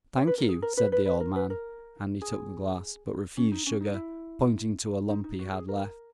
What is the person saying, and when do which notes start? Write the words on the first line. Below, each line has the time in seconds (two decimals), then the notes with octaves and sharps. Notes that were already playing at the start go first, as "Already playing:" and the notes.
"Thank you," said the old man, and he took the glass, but refused sugar, pointing to a lump he had left.
0.17 C#5
0.27 B4
0.38 A#4
0.49 G#4
0.62 A#4
0.77 B4
0.92 B4
1.06 B4
1.20 A#4
1.36 B4
1.50 A#4
2.22 G#4
3.37 C#4
3.52 D#4
3.67 C#4
3.81 D#4
3.94 E4
5.10 D#4
5.24 D#4
5.39 F#4
5.53 G#4
5.69 A#4